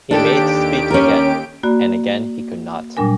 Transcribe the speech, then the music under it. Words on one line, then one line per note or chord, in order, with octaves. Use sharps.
He made to speak again, and again he could not.
D#2 D4 G4 A4 D7
C#4 A#4
A#3 F#4 D5 B5
A#2 F#3 G3 D4 A#4 G#5